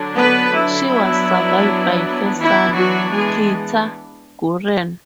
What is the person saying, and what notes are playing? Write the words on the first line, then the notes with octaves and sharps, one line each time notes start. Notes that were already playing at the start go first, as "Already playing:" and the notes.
She was survived by her son, Peter Gurian.
Already playing: D3 F#3 D4
B3 B4
E4
F#3 B3 D4
E3 B3 D4 E4
F#3 F#4
G#3 G#4